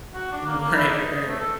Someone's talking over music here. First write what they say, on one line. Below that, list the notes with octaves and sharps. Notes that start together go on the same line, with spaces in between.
Mm, right, right.
F#4
D4
A#3
A#3
E4
D#4
A3
A4